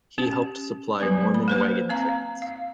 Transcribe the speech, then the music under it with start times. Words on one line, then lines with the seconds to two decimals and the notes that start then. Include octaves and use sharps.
He helped supply Mormon wagon trains.
0.18 C#4 G4
1.00 F#3 B3 B4
1.34 B5
1.48 A#3 B4 C5
1.89 C4 F5 A#5
2.42 F5